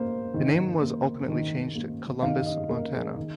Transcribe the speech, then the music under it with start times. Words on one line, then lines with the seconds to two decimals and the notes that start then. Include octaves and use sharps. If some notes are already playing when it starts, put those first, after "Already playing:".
The name was ultimately changed to Columbus, Montana.
Already playing: A#3 C5
0.34 D#3
0.81 A#3
1.29 D#3
1.75 A#3
2.22 D#3 F5
2.46 D#5
2.69 A#3 A#4
2.93 G#4
3.16 D#3